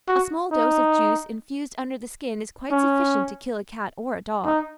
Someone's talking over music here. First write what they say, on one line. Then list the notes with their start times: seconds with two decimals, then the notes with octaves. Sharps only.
A small dose of juice infused under the skin is quite sufficient to kill a cat or a dog.
0.08 F#4
0.52 D#4
2.71 C#4
4.46 D#4